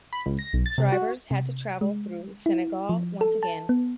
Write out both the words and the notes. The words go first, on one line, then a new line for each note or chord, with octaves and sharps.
Drivers had to travel through Senegal once again.
B5
C#2
A#6
B1
A6
C3
F#4
C3
G#3
E4
F3
A4
A5
B3